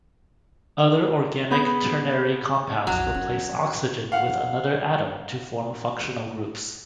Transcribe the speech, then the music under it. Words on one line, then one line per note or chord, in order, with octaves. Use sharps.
Other organic ternary compounds replace oxygen with another atom to form functional groups.
B3 G#4 B5 G6
B1 F2 F#3
C#4
F5 F#5